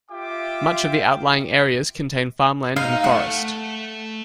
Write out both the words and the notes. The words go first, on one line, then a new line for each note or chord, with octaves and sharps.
Much of the outlying areas contain farmland and forest.
F4 G4 E5 G5 D6
D#4 F5
A3 F#5